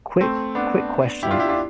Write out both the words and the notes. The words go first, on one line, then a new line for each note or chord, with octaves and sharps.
quick quick question.
A3 C4
B3 D4
E4 G4
D4 F4
E4 G4
D4 F4